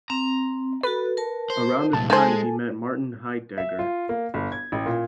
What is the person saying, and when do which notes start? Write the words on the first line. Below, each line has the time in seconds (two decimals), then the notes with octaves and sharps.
Around this time he met Martin Heidegger.
0.10 C4 A#5
0.83 F#4 A4 B4
1.17 A#4 A5
1.50 C5
1.93 C2 A#2 A5
2.10 G#3 D#4 A4 C5 G#5 A5
3.58 E5
3.79 F4
4.09 A#3
4.34 G1
4.52 G#6
4.72 A1
4.86 A#2